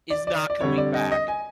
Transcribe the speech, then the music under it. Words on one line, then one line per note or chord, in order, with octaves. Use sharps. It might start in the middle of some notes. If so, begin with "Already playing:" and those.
is not coming back.
D5
D5
D5
F2 D3 G3 C#5
D5
D#5
D#5
G#5